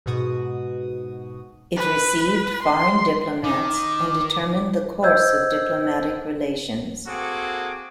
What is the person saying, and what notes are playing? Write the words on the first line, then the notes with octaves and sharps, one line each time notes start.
It received foreign diplomats and determined the course of diplomatic relations.
G#2 B2 F#4 D#6
B4
C6
D#3 D6
C5 D#5 F#5 E6 G6 G#6
A#3 C4 F#4 G#4 A4 D6